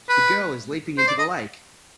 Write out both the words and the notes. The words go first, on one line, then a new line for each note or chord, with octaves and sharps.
The girl is leaping into the lake.
B4
C5
D5
D#5